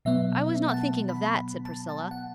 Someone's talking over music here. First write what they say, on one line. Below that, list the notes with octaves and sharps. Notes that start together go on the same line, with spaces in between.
"I was not thinking of that," said Priscilla.
B2 F#3 B3 E5
F#5
A5
B5
A5
A5
F#5